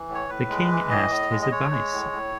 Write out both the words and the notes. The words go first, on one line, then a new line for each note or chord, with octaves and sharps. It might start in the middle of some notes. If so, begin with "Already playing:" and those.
The king asked his advice.
Already playing: E3
A2
C#5
A2 B4
G#3
E3
A2 D#5
A2
G#3
D#5
G#3 C#5
G#3
A2
A2